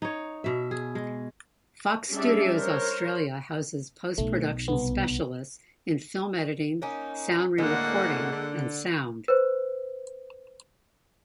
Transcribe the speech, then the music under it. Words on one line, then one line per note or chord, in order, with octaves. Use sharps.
Fox Studios Australia houses post-production specialists in film editing, sound re-recording and sound.
D#4 C#5
B2 E5
G#4
G#3
G3 C#4 D4 G#4 D5 E5
A#4 C5 C#5
B1 A3
C2 B3
A#3 C#4 D#4
D2 A2 D3 G#3 A#3 F#5
D3
B4 C5